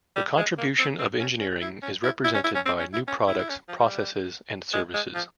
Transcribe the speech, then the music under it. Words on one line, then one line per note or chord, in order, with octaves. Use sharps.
The contribution of engineering is represented by new products, processes and services.
G3
G#3
A#3
C4
C4
C#4
C#4
E4
C#4
E4
E4
C#4
E4
C#4
C4
C#4
E4
C#4
E4
E4
C#4
F3
G3
G#3
G#3
F3